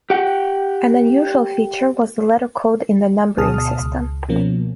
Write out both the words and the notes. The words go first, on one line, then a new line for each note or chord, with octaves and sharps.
An unusual feature was the letter code in the numbering system.
G4 F#5 G5
D2 B2 G#4 A5 D#6 F6
C#2
B2 F3 A#3 C#4